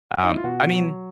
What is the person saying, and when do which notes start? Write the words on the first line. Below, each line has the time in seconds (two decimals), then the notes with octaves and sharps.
Um, I mean,
0.23 D#4
0.29 E4
0.37 F4
0.44 B2 F#4
0.73 F#3